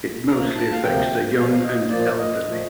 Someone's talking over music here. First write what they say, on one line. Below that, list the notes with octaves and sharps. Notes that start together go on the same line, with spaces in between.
It mostly affects the young and elderly.
D2 C3 F3 A#3 A#5
A5
F5
D2 C3 F3 A#3 G5
A#2 F3 A#3 F5
F5
D#5
A#2 F3 A#3 D5
D#5
A#2 F3 A3